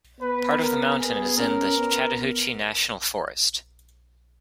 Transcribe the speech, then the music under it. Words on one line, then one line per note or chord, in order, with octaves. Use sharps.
Part of the mountain is in the Chattahoochee National Forest.
B3 B4
A#4
B3 G#4
C#4 A#4
B3